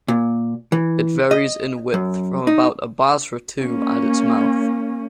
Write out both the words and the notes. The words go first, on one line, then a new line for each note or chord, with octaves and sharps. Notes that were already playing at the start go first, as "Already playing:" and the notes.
It varies in width from about at Basra to at its mouth.
A#2
E3
D#5
F#2
D#4
A#3 C#4